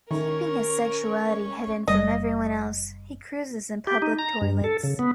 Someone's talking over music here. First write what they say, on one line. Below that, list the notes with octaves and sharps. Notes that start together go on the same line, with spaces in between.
Keeping his sexuality hidden from everyone else, he cruises in public toilets.
D#3 C#4 A#4
F#1 G3 D#5
G4
D#4
A#5
G2
A4
C#3
B3